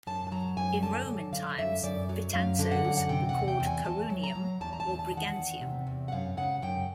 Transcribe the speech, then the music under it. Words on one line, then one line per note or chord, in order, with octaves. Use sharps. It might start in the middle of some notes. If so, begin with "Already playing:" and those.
In Roman times Betanzos were called "Carunium" or "Brigantium".
F#2 A5
A5
F#3 A#5
F#2 G#5
D3 A5
F#3
D3 F5
F#2 E5
F#2 D5
F#3
F#2 F5
D3
F#5
F#2
F#5
C3 G5
F#5
E2
G5
E2
G#5
E2 A5
F#3
A#5
F#3
E2 A5
A#5
A5
E2
A5
D#3
F#5
E2
C3
E2
F#5
F#2 F5
C#3 F#5
F#2 G5